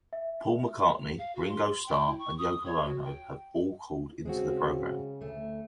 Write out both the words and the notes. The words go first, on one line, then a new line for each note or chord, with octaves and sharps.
Paul McCartney, Ringo Starr, and Yoko Ono have all called into the program.
E5
F5
F#4
C6
C6
G5
E4
C#6
D#6
C#5
F#4
G5
C#3 G#3 C4 F#4
D2 A3